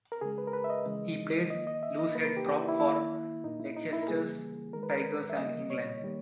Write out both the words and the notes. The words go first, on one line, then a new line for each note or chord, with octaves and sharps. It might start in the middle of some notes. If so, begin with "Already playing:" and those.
He played loosehead prop for Leicester Tigers and England.
A#4
C#3 G#3 G#4
B4
A#4
B4
E5
D#5
C#3 E3 G#3
D#3 A#3 D#5
D#5
E5
D#5
C#3 E3 A#3 B4
A#4
G4
G4
E4
E4
D#3 A#3 E4
A#2 A#3 D#4
E4
D#4
E4
A#4
C#3 E3 G3 A#3 G#4
D#3 G#3 A#4
B4
A#4
E5
C#3 G3 A#3 D#5
C#5
D#3 G3 A#3